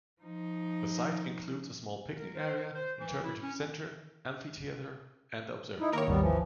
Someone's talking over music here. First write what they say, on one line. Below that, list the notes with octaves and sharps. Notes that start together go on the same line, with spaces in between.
The site includes a small picnic area, interpretive center, amphitheater, and the observatory.
F3 D#4
A#4
C5
C5
E3
E4
C#4
D#4 E4
D#3 A#3 A#4 C#5
G#1 D#2 G3 B3
E3 F3